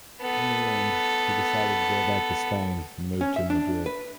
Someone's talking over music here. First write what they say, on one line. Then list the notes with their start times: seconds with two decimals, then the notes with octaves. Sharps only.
In the end he decided to go back to Spain and moved to Madrid.
0.22 B3 A4
3.21 C#4
3.36 E5
3.50 D4
3.86 B4